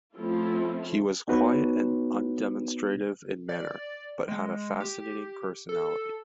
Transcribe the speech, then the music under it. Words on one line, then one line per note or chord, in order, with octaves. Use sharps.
He was quiet and undemonstrative in manner, but had a fascinating personality.
F3 A3 C4 C#4 E4 F4
B3 D#4 F#4 B4 C#5
D5
G#3
G4
A4